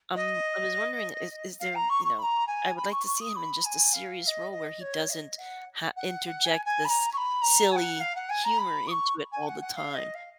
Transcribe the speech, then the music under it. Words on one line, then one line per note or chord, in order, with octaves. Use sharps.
Um, I was wondering, is is there you know, I would like to see him in just a serious role where he doesn't ha interject this silly humor into it all the time,
D#5
F5
A#5
C#6
C#6
B5
A#5
G#5
B5
C#6
C#6
D#6
B5
G#5
F5
F5
D#5
D#5
C#5
F5
D#5
F#5
F#5
F#5
G#5
G#5
B5
A#5
C#6
B5
A#5
G#5
F#5
F5
F#5
G#5
A#5
B5
D#6
C#6
G#5
F#5
F#5
F5
D#5
F5